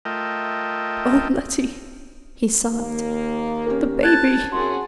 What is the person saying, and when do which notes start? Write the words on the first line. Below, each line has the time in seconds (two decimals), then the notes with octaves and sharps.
"O Letty!" he sobbed--"the baby!"
0.05 A3 F4 A#4 D#5 E5 G5
2.70 D#2 A#3
3.66 C#4 G4 A#4
4.03 A5 F#6 G#6 A6
4.52 F#2 F#4 G#4 C6